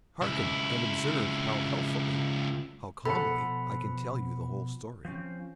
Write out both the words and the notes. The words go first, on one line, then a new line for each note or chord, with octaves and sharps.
Hearken! and observe how healthily--how calmly I can tell you the whole story.
C#2 E4
B2 F3 A4 F#5 B5
F3 C4 C#4